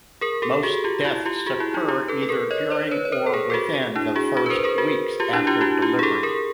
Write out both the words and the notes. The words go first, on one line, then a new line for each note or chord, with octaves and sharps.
Most deaths occur either during or within the first weeks after delivery.
G#4 A#4
G4 A4
F#4 G#4
F4 G4
E4 F#4
F4 G4
F#4 G#4
E4 F#4
D#4 F4
F4 G4
A4 B4
A4
G#4 A#4
C#5 D#5
C5 D5
B4 C#5
C#5
A#4 C5
A4
G#4 A#4
A4
F#4 G#4
D4 E4
F#4 G#4
F#4 G#4
B4
A#4 C5
G#4 A#4
F#4 G#4
F4 G4
D4 E4
F4 G4
E4 F#4
F4 G4
G#4
G4 A4
G#4 A#4